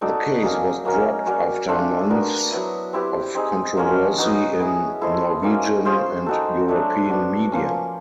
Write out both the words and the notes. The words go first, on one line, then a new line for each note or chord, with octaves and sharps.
The case was dropped after months of controversy in Norwegian and European media.
D#4 F#4 A4 D5
F#3 A#3 C#4
A#3 C#4 F#4 A#4
C#4 F#4 A#4 D5
A3 D4 F4
B3 D4 F#4 A#4
F#3 B3 E4
C4 E4 G4 B4
C4 D#4 G#4
F3 A#3 C#4 F#4
F#3 B3 D#4 F#4
B3 E4 G#4
E4 A4 C5 D#5
A#3 C#4 F#4
C#4 F4 G#4 C5
D#4 F#4 A4
F#3 A3 D4
B3 D4 F#4
F3 A#3 C#4